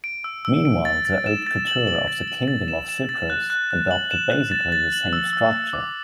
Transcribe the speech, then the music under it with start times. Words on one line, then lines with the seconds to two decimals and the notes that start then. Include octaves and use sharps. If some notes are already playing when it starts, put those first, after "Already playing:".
Meanwhile, the "Haute Cour" of the Kingdom of Cyprus adopted basically the same structure.
0.04 D7
0.24 E6
0.45 E6
0.65 D7
0.85 A6
1.05 A6
1.26 E7
1.47 A6
1.67 F#7
1.87 F#7
2.08 A6
2.28 F#7
2.48 A6
2.68 E7
2.89 E7
3.09 A6
3.30 F#6
3.50 F#6
3.71 F#6
3.91 F#7
4.11 E7
4.32 F#6
4.52 A6
4.72 A6
4.93 F#7
5.13 E6
5.33 E6
5.53 E6
5.73 D6